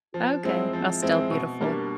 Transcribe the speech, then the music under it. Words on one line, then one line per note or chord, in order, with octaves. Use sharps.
Okay. Well, still beautiful.
F3
G#3 C4 E4
F3
G#3 C4 E4
B2
G3 A#3 D4